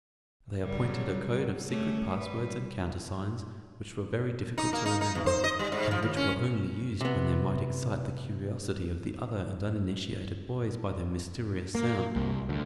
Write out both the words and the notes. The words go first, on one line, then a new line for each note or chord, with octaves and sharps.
They appointed a code of secret passwords and countersigns which were very difficult to remember, and which were only used when they might excite the curiosity of the other and uninitiated boys by their mysterious sound.
C#3 F#3 G3
A3 C#4 G4
G3 B4
D#4
A#3
D#4
D#4
E2
C5
D#5
G3
G#2
F3
D#2
C#4
C3 B3
A#3
C2
D2